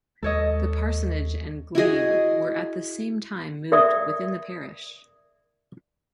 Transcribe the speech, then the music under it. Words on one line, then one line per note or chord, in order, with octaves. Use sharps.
The parsonage and glebe were at the same time moved within the parish.
D#2 G#3 A4 C#5 D#5
E4 F#4 G#4 D#5
A#4 D5 E5 D#6